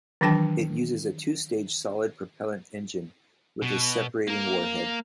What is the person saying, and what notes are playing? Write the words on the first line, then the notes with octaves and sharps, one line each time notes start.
It uses a two-stage solid propellant engine with a separating warhead.
D#3 E3 F#3 D4 G5 A5
B2
A#3 A#4